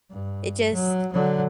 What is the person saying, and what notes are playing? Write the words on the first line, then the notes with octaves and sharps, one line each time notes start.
It just
G2
F#3
D3 F#3